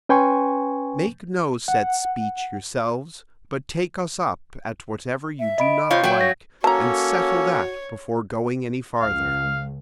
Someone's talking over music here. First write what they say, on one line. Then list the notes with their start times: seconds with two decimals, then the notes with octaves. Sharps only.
Make no set speech yourselves, but take us up at whatever you do not like, and settle that before going any farther.
0.09 C#4 B4 G5 G#5 C6 C#6
1.68 F#5
5.39 E5
5.58 D#5 B5 D7
5.90 C3 F4 C5 C#5 F5 G6
6.03 F#3 C#5 E5 G5
6.21 A#6
6.64 A#3 C#4 F#4 A4 C#5 A5 A#5
9.01 C#2 F5